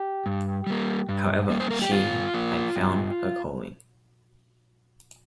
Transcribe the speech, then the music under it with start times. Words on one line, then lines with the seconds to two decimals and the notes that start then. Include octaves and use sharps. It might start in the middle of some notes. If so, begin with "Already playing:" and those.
However, she had found her calling.
Already playing: G4
0.26 G2
0.67 G3 A#3
1.09 G2
1.50 G3 A#3
1.60 C5
1.70 A#4
1.82 G4
1.91 G2 F4
2.34 F3 A#3
2.76 G2